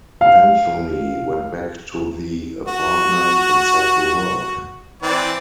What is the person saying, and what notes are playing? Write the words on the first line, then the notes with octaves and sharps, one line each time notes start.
Anthony went back to the apartment and set to work.
F5
F#4
E3 C4 D5